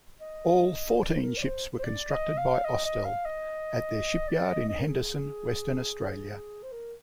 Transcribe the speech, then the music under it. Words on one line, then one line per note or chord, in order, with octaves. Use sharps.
All fourteen ships were constructed by Austal at their shipyard in Henderson, Western Australia.
D#5
C5
D5
C5
A#4
D5
C5
C5
D5
D#5
F5
D#5
D#5
F5
D#5
D5
D#5
D#5
A#4
G#4
C5
A#4